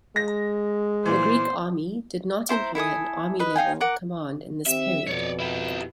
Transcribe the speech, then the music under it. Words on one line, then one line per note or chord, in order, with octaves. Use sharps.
The Greek Army did not employ an army-level command in this period.
G#3 A#6
A#2 E3 C5
E4 C5 A5 A#5
E4 A4 G#5 D#6
B4 D#5
D#4 F5 G5 G#5
A#4 F#5 D6
D#3 C4 G4 E5
F2 B2 C#5 D5
E4 G4